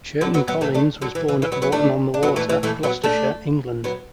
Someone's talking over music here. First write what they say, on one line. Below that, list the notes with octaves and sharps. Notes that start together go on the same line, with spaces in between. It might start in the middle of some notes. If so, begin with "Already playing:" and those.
Churton Collins was born at Bourton-on-the-Water, Gloucestershire, England.
D3 F#3
F#3 B3
F#3 B3
E3 A3
A3 D4
D3 F#3
E3
E3
E3
F#3 B3
F#3 B3
A3 D4
D4
F#3 B3
E3 A3
E3
E3 A3
F#3 B3
A3 D4
F#3 B3